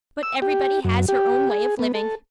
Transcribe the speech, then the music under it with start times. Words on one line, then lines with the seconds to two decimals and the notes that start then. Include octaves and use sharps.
But everybody has her own way of living . . .
0.23 E6
0.42 G4
0.84 F#2
1.09 G4
1.50 G#4
1.79 B3
1.95 A4